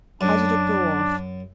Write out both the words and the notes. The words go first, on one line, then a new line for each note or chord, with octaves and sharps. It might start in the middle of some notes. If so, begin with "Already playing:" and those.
"How did it go off?"
F#2 D4